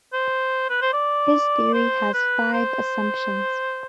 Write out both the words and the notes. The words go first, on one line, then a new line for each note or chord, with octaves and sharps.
His theory has five assumptions.
C5
B4
C5
D5
C5
B4
C5